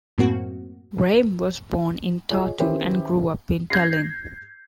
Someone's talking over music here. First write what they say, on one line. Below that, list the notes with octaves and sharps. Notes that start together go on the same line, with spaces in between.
Reim was born in Tartu and grew up in Tallinn.
F#2 A2 A#3 C4 F#4
F4 G#4 C#5 D#5
D#3 C#4 E4 G4 B4 C5
G6 G#6 A#6 C7